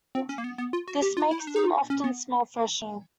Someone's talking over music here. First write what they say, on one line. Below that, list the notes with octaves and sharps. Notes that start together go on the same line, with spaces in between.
This makes them often smell fresher.
C4
C#4
A#3
B3
B3
F4
F#4
G4
F4
E4
D#4
D4
D#4
C#4
B3